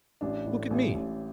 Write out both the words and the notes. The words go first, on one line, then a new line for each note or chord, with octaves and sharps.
Look at me.
A1 D4
A2
A1
A1